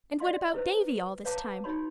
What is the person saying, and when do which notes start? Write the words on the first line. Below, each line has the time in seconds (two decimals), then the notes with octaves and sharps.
And what about Davy all this time?
0.20 D5 D#5 F5 C6
0.54 E4 B4 C5
1.25 B4 C#5 F5 A5 A#5 D6
1.64 D#4 F#4 C#5 B5 C6